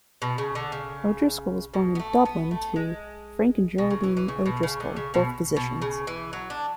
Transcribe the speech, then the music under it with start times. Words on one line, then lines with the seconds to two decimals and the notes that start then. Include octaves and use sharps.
O'Driscoll was born in Dublin to Frank and Geraldine O'Driscoll, both physicians.
0.22 B2
0.38 C#3
0.55 D3
0.72 C#3
1.74 B2
1.95 B3
1.99 A3
2.25 B3
2.51 A3
2.76 G#3
3.78 B2
3.90 C#3
4.04 E3
4.17 E3
4.28 C#3
4.46 B2
4.63 C#3
4.80 D3
4.96 C#3
5.14 B2
5.56 B2
5.82 C#3
6.07 E3
6.33 F#3
6.50 D4